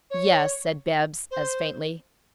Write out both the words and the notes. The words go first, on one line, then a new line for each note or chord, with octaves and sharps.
"Yes," said Bibbs, as faintly.
C#5
C5